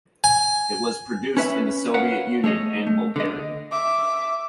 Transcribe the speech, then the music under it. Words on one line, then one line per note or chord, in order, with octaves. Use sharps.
It was produced in the Soviet Union and Bulgaria.
G#5
C#4 B4 E5
A#4 B4 C#5 F5 F#5
A3 G#4 C#5 D#5
A3
D3 D#5
E5 D6